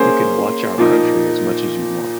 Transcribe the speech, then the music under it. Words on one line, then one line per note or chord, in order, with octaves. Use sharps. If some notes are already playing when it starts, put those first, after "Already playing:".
You can watch our country as much as you want.
Already playing: A#3 C#4 G#4 C5
A#2 F3 A#3 D#4